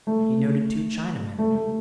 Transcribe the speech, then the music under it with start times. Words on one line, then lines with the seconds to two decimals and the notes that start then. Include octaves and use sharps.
He noted two Chinamen.
0.07 A3
1.39 A3
1.55 A3